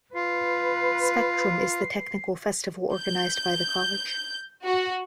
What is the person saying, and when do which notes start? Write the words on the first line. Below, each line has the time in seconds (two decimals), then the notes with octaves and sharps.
Spectrum is the technical festival organized by the college.
0.15 F4 B4 C7
2.95 G6
4.65 F#4